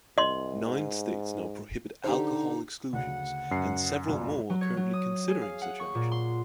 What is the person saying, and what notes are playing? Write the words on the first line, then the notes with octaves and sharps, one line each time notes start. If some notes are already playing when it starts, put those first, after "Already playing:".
Nine states now prohibit alcohol exclusions and several more are currently considering such action.
C2 D#5 C6
G#2
D3 D#4 G4 C5
D2 C#3 F#5
F#2 C7
G1 D2 A#2
F#3
C#5
F#3
D#6
G#4
F5
F#5
C#6
A#2
C6